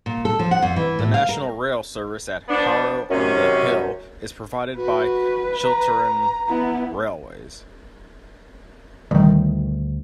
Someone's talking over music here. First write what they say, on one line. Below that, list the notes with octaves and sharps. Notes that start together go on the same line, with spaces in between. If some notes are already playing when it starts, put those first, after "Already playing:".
The National Rail service at Harrow-on-the-Hill is provided by Chiltern Railways.
A#2
A4
F3
F#5
F2
E3
A2
F5
A#4
F3 B3 D4
F#2 C3 D#3 C#4
F#4 B4
A#5
B3 E4
D2 B2 D#3 G3